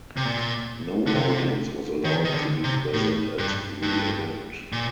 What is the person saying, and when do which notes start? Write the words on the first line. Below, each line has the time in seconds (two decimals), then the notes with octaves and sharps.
No audience was allowed to be present at the event.
0.17 C3
0.25 A#2
1.07 D3
1.14 C3
2.04 D#3
2.25 D#3
2.34 D3
2.64 C3
2.93 A2
3.39 G2
3.83 G2
4.72 A#2